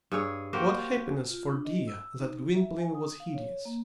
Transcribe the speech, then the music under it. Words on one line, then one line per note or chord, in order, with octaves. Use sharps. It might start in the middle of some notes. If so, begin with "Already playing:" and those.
What happiness for Dea that Gwynplaine was hideous!
G2 G#4 C#5
A#3 F#4 G4 C5
F4
D4
D#5
E6
D#4
E5
G#5
D#6
F5
C#5
A#3